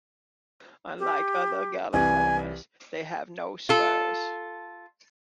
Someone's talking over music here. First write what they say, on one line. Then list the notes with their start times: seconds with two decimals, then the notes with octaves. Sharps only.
Unlike other Galliformes, they have no spurs.
0.99 G4
1.93 C2 E3 G#5
3.69 F4 A4